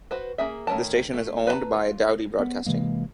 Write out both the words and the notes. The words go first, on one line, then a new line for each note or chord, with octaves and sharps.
The station is owned by Dowdy Broadcasting.
F#4 B4 C5
A#3 C#4 G#4 E5
D#3 A3 C#4 A#4 A5
A3
B4 D5 D#5 A5 A#5
F4
B3
C3 E3 G#3 A#3